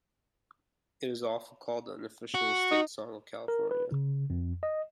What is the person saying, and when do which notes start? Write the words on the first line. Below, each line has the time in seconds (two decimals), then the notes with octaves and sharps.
It is often called the unofficial state song of California.
2.34 F#4
2.71 D#4
3.48 A#4
3.71 B4
3.92 C#3
4.30 F2
4.63 D#5